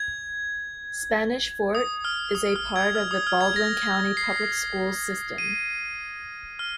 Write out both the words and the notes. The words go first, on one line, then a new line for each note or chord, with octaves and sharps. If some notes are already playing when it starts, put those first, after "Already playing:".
Spanish Fort is a part of the Baldwin County Public Schools system.
Already playing: G#6
D#6
F6
D#6
F6
G#6
F6
D#6
F6
G#6
A#6
A#6
C7
D#7
F6